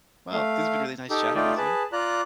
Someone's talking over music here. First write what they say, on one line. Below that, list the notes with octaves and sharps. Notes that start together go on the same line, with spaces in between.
Well, it's been really nice chatting with you.
A3 F5
D#4 G4 A4
A3 D#4 F4 D5 G5
G#4 B4 A5
F4 D5 A#5 F#6